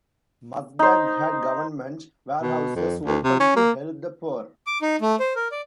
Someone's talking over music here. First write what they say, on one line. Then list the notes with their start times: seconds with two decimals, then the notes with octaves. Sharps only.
Mazdak had government warehouses opened to help the poor.
0.79 D#4 C5
2.42 B2
2.75 F2
3.06 D2
3.24 C3
3.40 C#4
3.56 A#3
4.67 D6
4.82 D#4
5.01 A3
5.20 C5
5.36 A#4
5.52 D5